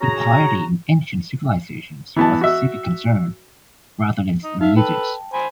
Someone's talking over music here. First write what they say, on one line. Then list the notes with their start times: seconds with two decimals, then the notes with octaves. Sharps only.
Impiety in ancient civilizations was a civic concern, rather than religious.
0.01 C#4 F#4 G#4 A#5
2.16 E3 B3 A5
2.41 F#4 E5
4.44 D#4
4.61 D#4 E5 F5
4.77 A4 B4 G5 A5
5.33 C5 G#5 B5